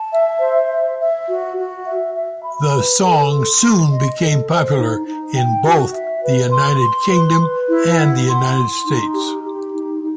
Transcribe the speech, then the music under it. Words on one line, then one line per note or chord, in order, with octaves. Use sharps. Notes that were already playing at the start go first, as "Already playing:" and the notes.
The song soon became popular in both the United Kingdom and the United States.
Already playing: A5
E5
C5
E5
E5
F#4
F#4
E5
E5
B5
B4
A4
C6
C6
D#5
A4
C5
D#4
D#4
G5
F#4
E5
B4
C6
C6
B4
B4
E4
F#5
C6
C6
D#4
G4
G4
D#4
D#4